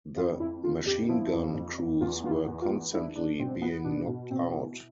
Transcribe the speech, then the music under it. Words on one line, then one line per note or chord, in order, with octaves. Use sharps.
The machine gun crews were constantly being knocked out.
F2 F4
F2 E4
D3 F4
F2 G4
F3 E4
F2
F2
F2
E2 F4
B3 F4
E4
E2
F4
B3
D4 E4
D4
B2 C4
B3
B2 D4
B2
B2 C4
E4